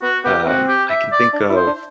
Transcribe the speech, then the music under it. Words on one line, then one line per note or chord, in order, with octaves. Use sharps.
uh, I can think of
B3 F#4
B3 G4
B3
C4 F#4
G4
E5
D5
D4
E4
C5
D4